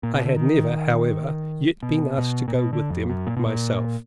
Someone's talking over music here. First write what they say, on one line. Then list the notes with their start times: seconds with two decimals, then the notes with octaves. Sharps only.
I had never, however, yet been asked to go with them myself.
0.03 A#2
0.14 B2
0.25 D3
0.36 D#3
1.83 B2
2.18 B2
2.48 A#2
2.54 B2
2.73 D3
2.90 F2
3.10 F#2
3.27 A#2
3.37 B2
3.46 A#2